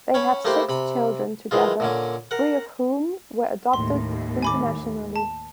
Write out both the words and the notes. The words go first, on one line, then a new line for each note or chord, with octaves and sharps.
They have six children together, three of whom were adopted internationally.
C#4 C#5 B5
A3 A#3 E4 G4 B4 C5
C3 B5
D#3 E3 G#3 F4
A#2 D3 C#4
A#4 F#5
D#2 A2 C6
G#5 B5 D6
A5